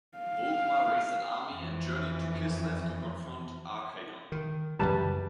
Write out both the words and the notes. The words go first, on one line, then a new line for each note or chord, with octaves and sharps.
Volkmar raised an army and journeyed to Kislev to confront Archaon.
F5
F2 E3
D#3
F#2 C#3 E3 G3 B4 A5